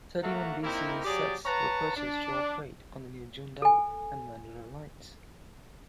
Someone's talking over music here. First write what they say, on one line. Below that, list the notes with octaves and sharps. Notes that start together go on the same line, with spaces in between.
Thirty-one B-series sets were purchased to operate on the new Joondalup and Mandurah lines.
A2 A3 A#3 F#4 F#5 A#5
A#2 A#3 C4 D#4 E4
F#3 G4 G#4 D5
B4 C#5 F#5 A5 A#5
D4
A4 G#5